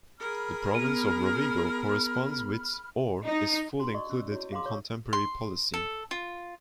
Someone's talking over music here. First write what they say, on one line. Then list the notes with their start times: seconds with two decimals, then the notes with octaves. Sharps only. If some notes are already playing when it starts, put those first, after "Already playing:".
The province of Rovigo corresponds with or is full included into contemporary Polesine.
0.20 G#4 A#4 B5 F6
0.75 B3
3.25 D#4
3.79 D4 F#4 G5 A5 A#5 C6
3.94 D5 D#5 C6 C#6 D#6
4.10 C#4 E6
4.32 E4 F#4 C#5
4.52 G#4 F5 F#5 A#5 C6 D6
4.66 C#5 C#6 E6
5.13 C6
5.74 A4
6.11 F4